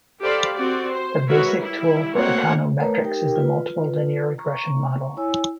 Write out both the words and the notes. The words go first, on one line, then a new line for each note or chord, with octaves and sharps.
The basic tool for econometrics is the multiple linear regression model.
G4 A4 C5 D5 F5 B5
C4 F#4 D5
C5
G#3 F#4 A#4 B4 C#5 E5
G3 E4
A3 A#3 C4 F#4 C#5 F#5
A3 A#4 B4 C#5 A#5
D#4 G4 A#4 G5
F4 B4
A#5 C#6
E4 C#5 G#5 E6